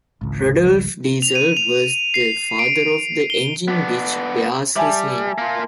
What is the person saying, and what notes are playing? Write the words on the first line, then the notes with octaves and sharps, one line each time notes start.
Rudolf Diesel was the father of the engine which bears his name.
G#1 C#2
F7
D#7
F7
C7
D7
G7
B3 D4
G3 E5 G#5 A5
A#3 F4